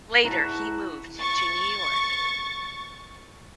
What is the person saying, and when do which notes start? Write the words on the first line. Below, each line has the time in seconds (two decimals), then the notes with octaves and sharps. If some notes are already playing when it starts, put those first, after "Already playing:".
Later he moved to New York.
0.24 E2 E4 F#4 A5 A#5
1.18 C#6 A6